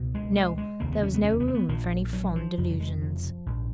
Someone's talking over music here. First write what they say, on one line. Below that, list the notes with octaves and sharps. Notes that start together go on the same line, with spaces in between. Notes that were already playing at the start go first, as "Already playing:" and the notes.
No! there was no room for any fond delusions!
Already playing: C#2 B2
G#3
G#3
G#3
F1 D#2 C#3 A#3
B3
C#4
B3
C#4
B3
A#3
B3
A#1 A#2 F3
F#3
F3
F1 F2 C#3 F3
F#3
G#3
F3
A#1 G#2